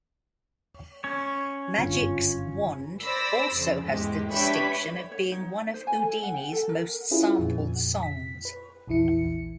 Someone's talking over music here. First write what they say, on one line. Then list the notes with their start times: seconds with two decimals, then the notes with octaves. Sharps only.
"Magic's Wand" also has the distinction of being one of Whodini's most-sampled songs.
1.04 C#4 C#5
1.78 F#1 G2 D3 F4
3.03 C5 D5 B5 E6 A#6
3.52 F2 C#3
3.86 E2 G#2 G#3 G4
4.31 D4 G4 B4 C#5 E5 B5
4.94 C#5
5.11 C#5
5.32 D#4
5.74 C5
5.87 G#5
6.02 A4
6.23 F#5
6.34 G5
6.52 A4
6.69 A#4
7.11 C#4 E4 F4 G#4 B4
7.39 F2 A#2
8.03 B6
8.45 B4
8.87 A#1 E2 E3 E4 C#7